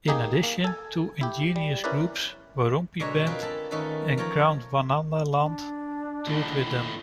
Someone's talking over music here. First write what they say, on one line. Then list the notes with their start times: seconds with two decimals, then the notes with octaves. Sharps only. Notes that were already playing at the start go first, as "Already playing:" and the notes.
In addition, two indigenous groups, Warumpi Band and Gondwanaland, toured with them.
0.08 A#3 D#4 G4 G#4
0.43 A#3
0.64 A4 G#5
1.21 E4 G4
1.56 G3
1.84 C#4 E4 A#4 B4 D5
3.00 B2 D3 G#3 B4 C#5 A#5
3.26 C4 F4 G#4 A#4 B4 G5
3.43 A4 A5 B5
3.71 D#3 A3 C#4 D#4 A4 B4
4.17 F3 F4 C#5 G5 A#5
5.39 D4
6.27 D#2 A2